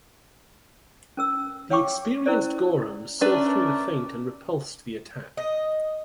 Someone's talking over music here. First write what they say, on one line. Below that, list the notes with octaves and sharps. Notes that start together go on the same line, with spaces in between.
The experienced Goreham saw through the feint and repulsed the attack.
C#4 A#4 E6
C#5 F5 G5 C#6 D6
C#4 E4 A#4 C5 D5
A3 C#4 D4 A#4 B4 D5
D#5